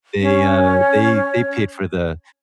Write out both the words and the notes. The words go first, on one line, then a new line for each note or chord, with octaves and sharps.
they, uh, they they paid for the
C#4 C#5